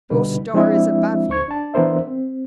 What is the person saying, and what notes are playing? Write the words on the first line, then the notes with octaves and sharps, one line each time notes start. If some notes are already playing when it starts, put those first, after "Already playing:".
Your star is above you.
B2 D3 G3 D#4 B4
F3 G#3 C4 D4 E4 E5
D2 C5 C#6 G#6
D4 A5
E3 B3 D4 A#4 C5 E5
C4